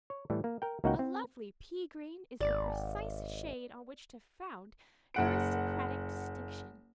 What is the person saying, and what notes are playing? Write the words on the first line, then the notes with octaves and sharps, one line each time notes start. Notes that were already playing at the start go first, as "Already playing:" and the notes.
A lovely pea-green is the precise shade on which to found aristocratic distinction.
C#5
A2 E3 G3
A#3
A#4 G5
C#2 A#3 D#4 F#4 F#5 G5
C4
G#1 D5
F#1 F#5 D7